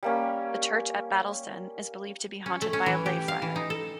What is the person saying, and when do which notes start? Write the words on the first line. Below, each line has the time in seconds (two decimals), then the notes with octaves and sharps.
The church at Battlesden is believed to be haunted by a lay friar.
0.03 G3 A#3 C#4
2.46 C#4
2.62 A3
2.73 C#4
2.86 E3
3.06 G4
3.28 F5
3.42 E3
3.56 D#4
3.70 A4